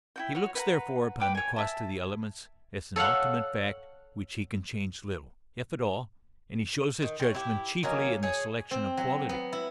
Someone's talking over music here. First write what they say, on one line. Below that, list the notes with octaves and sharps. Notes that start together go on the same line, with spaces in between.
He looks therefore upon the cost of the elements as an ultimate fact which he can change little, if at all, and he shows his judgment chiefly in the selection of quality.
E4 F#4 G5
F#4 C#5
B4 F#5 G5 A#5
B4 G5 D6
C#5 G#5
E5 A5
A4 C#5 F5 F#5
D#3
G3 C#4
E4 G4
D#3 F#3 A#3 C#4
G#4 C#5
C4
F#3
B3
E4